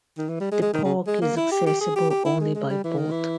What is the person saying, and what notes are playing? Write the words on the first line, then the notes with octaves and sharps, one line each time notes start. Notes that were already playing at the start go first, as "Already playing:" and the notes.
The park is accessible only by boat.
D#3
E3
G3
G#3
G#3
D#3
C#3
G#3
A#3
E4
G4
G4
G#4
G4
G4
E4
G#3
G#3
G3
E3
D#3
E3